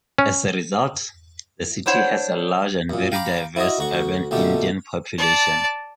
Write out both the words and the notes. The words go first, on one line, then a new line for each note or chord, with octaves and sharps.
As a result, the city has a large and very diverse urban Indian population.
C#4
D4 E4 C5 C#5 F#5
F#2 A#2
F5 G5 A#5 B5 D6
E4 F#4 D#5
D2 F#4 C#6
A#1 B2 D3 A3 G4
D5 A5